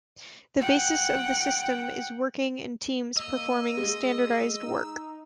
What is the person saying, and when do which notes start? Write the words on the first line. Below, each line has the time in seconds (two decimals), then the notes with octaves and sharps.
The basis of the system is working in teams performing standardized work.
0.60 F#5 G5
3.17 A#3 D#5 E6
3.77 G#3
4.59 D#4